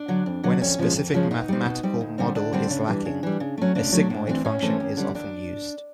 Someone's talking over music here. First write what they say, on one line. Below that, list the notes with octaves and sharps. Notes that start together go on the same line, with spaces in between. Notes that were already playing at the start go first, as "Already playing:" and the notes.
When a specific mathematical model is lacking, a sigmoid function is often used.
Already playing: D4
D3 F#3
F2
D3 F#3
F2 C#4
C#3 F3 G#3 C#4
F2
C#3 F3 G#3 C#4
B2 D#4
G3 C4
B2
G3 C4
D2
D3 G3 C4
D2 D4
D3 G3 C4
C#3
E3 G3
C#3
E3 G3
C#3
F#3 A3 C#4
C#3 D4
F#3 A3
A2
E3 A3 C4
A2 C#4
E3 A3 C4
D#2
D3 G3
D#2 D4